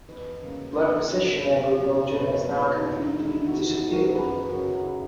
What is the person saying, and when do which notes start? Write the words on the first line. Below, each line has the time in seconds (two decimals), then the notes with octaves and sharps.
Flood recession agriculture has now completely disappeared.
0.08 E2 B4 D#5
0.42 C#3 F#3 A#3
0.76 E2 B4 D#5
1.10 C#3 F#3 A#3
1.44 B2
1.78 F#3 A#3
2.11 B2 B4 D#5
2.29 A#4 C#5
2.46 F#3 A#3 G#4 B4
2.62 E4
2.73 D#4
2.79 E2 E4
3.02 D#4
3.13 D#3 G#3
3.25 E4
3.47 E2 D#4 F#4
3.70 E4
3.81 D#3 G#3
3.92 F#4 A#4
4.15 F#2 G#4 B4
4.48 C#3 F#3 F#4 A#4
4.83 E4 G#4